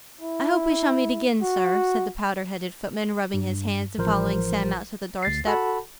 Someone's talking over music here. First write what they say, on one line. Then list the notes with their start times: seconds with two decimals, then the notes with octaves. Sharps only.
'I hope we shall meet again, Sir,' said the powdered-headed footman, rubbing his hands, and following Sam out to the door-step.
0.21 E4
1.42 F#4
3.34 G2
3.98 A1 F3 A#4 C5
5.23 D2 A6 C7
5.46 F#4 A4 F#5 A5 B5